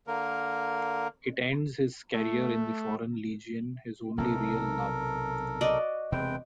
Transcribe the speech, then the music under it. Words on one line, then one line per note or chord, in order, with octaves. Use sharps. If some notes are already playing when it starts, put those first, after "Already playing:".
It ends his career in the Foreign Legion, his only real love.
D3 A#3 A#4
A3
B1 C3 B3 A4 A#4
F#4 D5 D#5
E1 C3 G#3 C4 B4 G5